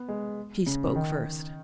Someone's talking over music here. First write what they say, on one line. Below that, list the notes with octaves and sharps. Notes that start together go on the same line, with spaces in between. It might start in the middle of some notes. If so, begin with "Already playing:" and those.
She spoke first.
Already playing: B3
G#3
C#3
C#3
D#3